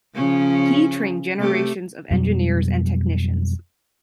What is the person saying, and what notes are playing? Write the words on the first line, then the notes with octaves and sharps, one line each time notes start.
He trained generations of engineers and technicians.
C#3 F3 C#4
C3 A3 G4
F2 B2 F#3 G3